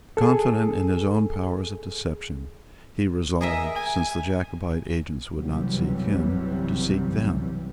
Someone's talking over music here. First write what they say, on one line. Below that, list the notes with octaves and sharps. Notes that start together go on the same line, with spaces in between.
Confident in his own powers of deception, he resolved, since the Jacobite agents would not seek him, to seek them.
G#4 A4
G#4 A#4 D#5 E5
G#5
B1 F#2 C3 E3 F#3 G3